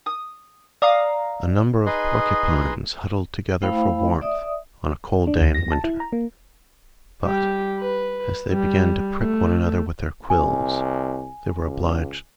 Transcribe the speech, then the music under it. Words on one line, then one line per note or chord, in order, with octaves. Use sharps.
A number of porcupines huddled together for warmth on a cold day in winter; but, as they began to prick one another with their quills, they were obliged to disperse.
D#6
D5 F5 A#5 D#6
D#4 G#4 B4 D#5 C6
A3 E4 C5 F5 G5 B5
D5 E5 D#6
D4
D2
A#6
A5
E4
A#5
A#3
G3 G4
B4
G3
A3
C2 G#5
C#2